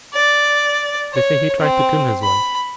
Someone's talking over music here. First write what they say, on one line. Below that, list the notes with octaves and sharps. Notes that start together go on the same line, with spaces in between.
"They say he tried to kill his wife."
D5
C#5
C4
B5